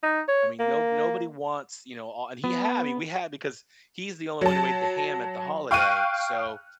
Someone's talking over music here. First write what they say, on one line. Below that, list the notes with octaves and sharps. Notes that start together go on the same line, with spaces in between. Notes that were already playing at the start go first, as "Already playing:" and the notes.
I mean, no nobody wants," you know, o and he had I mean, we had, because he's the only one who ate the ham at the holiday, so
D#4
C#5
A#3
B3
F#3 A5
F5 G5 C#6 F6 F#6 D#7